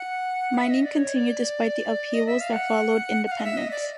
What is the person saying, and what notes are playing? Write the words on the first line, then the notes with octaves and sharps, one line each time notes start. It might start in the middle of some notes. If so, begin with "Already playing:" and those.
Mining continued despite the upheavals that followed independence.
Already playing: F#5
E5
D#5
D5
C#5
D5
D#5
E5
F5
F#5
F#5
F5
D#5
E5
D#5
D5